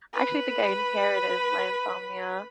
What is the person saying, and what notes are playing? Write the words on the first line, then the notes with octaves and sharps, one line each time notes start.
I actually think I inherited my insomnia.
B4 B5